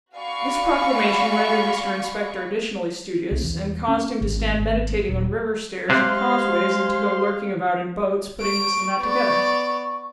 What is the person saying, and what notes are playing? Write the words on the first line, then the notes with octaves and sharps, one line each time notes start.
This Proclamation rendered Mr Inspector additionally studious, and caused him to stand meditating on river-stairs and causeways, and to go lurking about in boats, putting this and that together.
F#4 D5 F5 G#5 B5 C#6
C2
E2
C#4
G#1
G#1
D#1
C3 G#3 G4 C5 F5 C6 F#6
C#6 D7
B3 D5